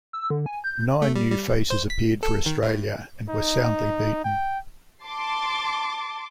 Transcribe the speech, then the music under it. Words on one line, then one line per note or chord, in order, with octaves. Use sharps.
Nine new faces appeared for Australia, and were soundly beaten.
E6
D3
G#5
G6
A3
G3
G3
C5
B6
A4
D#3
A2
D#4
G5
A5 C6 D6